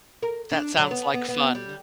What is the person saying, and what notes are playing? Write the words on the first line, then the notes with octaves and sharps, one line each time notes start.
That sounds like fun.
A#4
D4
F#3
B3
B3
B3
G3